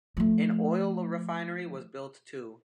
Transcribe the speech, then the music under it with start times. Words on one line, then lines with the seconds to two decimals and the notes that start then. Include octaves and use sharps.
An oil refinery was built too.
0.17 F3 A3